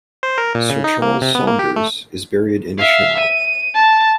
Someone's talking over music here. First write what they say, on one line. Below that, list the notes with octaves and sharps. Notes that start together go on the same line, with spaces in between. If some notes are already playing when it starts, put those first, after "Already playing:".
Sir Charles Saunders is buried Eshowe.
C5
A#4
A#2
C#3
D#4
A#3
C3
B3
A#3
G4
A3
E5 F5
D#7
A5